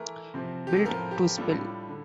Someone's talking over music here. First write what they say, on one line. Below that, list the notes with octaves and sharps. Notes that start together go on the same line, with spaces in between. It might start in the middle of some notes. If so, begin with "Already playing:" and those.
Built to Spill.
Already playing: E3 A3 E4 A#4
C3 F3 C4
G4
A4
A2 F3 C4 F4 A#4
G4
A2 G3 D4 F4 A4
D3